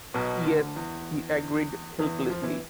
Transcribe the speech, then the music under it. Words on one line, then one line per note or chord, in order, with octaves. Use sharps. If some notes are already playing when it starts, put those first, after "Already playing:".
"Yes," he agreed helplessly.
B1 B2
D2 D3
E2 E3
E2 E3
F3
E3